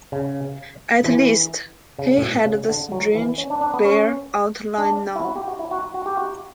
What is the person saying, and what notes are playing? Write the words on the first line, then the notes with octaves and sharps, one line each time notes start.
At least he had the strange, bare outline now.
C#3
E3
C#3
A2
B2
C#3
D3
F#3
E3
C#4
D4
D4
B3
C#4
D4
E4
F#4
G4
F#4
E4
F#4
F#4
G4
F#4